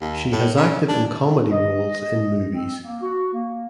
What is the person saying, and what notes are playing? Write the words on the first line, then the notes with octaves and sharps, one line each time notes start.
She has acted in comedy roles in movies.
D#2
A2
C#3
D4
D#5
C4
A#3
F#4
A#3